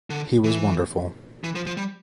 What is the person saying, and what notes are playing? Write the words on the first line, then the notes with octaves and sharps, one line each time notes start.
He was wonderful.
D3
E3
E3
F3
F3
G3